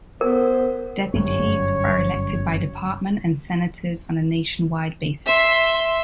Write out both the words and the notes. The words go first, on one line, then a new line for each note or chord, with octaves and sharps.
Deputies are elected by department and Senators on a nationwide basis.
B3 A#4 C5
G1 F#2 G3 C#5
E5 C6